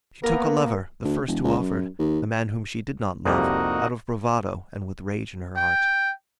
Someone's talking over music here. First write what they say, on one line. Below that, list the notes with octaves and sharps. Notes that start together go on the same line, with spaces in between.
She took a lover, the first who offered, a man whom she did not love, out of bravado and with rage in her heart.
A#3 B3 A#4
D2
E1
C#2
F#2
D#2
C2 F2 G3 A#3 D#4 F#4
G5